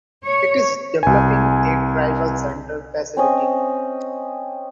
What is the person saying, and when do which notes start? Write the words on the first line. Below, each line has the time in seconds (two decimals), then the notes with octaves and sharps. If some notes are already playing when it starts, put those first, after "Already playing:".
It is developing a tribal center facility.
0.24 C#5
1.03 C2 G#5
3.17 C4 C#4 D#5